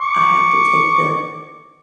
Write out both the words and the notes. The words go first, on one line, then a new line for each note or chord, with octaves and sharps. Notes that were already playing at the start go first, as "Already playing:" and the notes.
I have to take the
C#6 D6